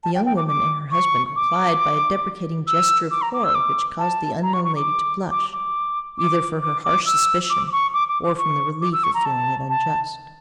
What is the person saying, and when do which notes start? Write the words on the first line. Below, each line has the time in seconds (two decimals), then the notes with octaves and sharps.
The young woman and her husband replied by a deprecating gesture of horror which caused the unknown lady to blush, either for her harsh suspicion or from the relief of feeling it unjust.
0.04 A5
0.15 G5
0.25 G5
0.37 D6
0.48 D6
0.91 C#6
1.36 D6
2.67 E6
3.11 D6
3.22 A#5
3.33 D6
3.44 E6
3.55 D6
3.99 A5
4.43 A#5
4.53 C#6
4.64 C#6
4.76 D6
5.30 D6
5.53 D6
6.18 D6
6.62 D6
6.84 D6
7.06 E6
7.50 D6
7.67 D6
7.72 C#6
7.94 D6
8.08 D6
8.23 D6
8.38 C#6
8.81 D6
8.93 E6
9.03 C#6
9.14 A#5
9.25 A5
9.70 A5